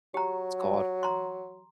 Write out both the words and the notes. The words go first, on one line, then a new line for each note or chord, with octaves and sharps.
It's called,
F#3 G4 A#5
A#5 C6